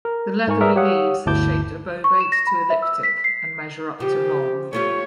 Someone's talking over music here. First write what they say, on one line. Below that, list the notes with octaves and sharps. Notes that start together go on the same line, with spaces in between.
The leathery leaves are shaped obovate to elliptic and measure up to long.
A#4
G#2 A#4 G#5 C#6
G#4 A#4 B4 D5 E5
G4 C#5 F5 F#5 D#6 E6
G1 D2 E4 A5 D6 G6
C#6
E7
A#6
B5
E5
E6
B6
C7
C#3 F3 G4
A3 F4 G4 C#5